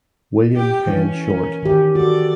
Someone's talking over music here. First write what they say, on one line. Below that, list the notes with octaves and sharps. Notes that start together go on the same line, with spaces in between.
William Penn Short.
G4 G5
E3 C#4
A#4
D#3 G4
F#4 A4 D5